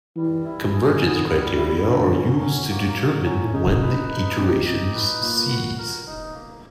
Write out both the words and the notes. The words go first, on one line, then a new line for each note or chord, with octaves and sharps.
Convergence criteria are used to determine when the iterations cease.
E3 G3
E4
G#4
D#3 B3
G3
E4
D3 F#3
C#4
F#3
A#3
F#3
C#4
C#3 D#4
B4
D#4
C3 G4
D#4
B4
A#2 A#3
F#4
A#4
D#4
A#3